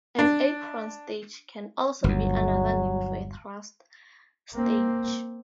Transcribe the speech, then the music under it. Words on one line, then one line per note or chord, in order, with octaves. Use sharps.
An apron stage can also be another name for a thrust stage.
D4
G1 D#2 F#3
A#3 C4